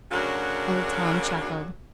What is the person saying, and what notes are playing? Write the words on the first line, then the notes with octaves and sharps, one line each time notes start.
Old Tom chuckled.
D2 C#3 F#3 D4 F#4 A#4